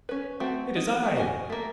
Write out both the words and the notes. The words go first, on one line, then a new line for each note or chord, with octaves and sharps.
"It is I."
C#4 B4
A3 C4 F#4
D#4
F#3 A3
F#4 D#5 F#5 G#5
A3 A#3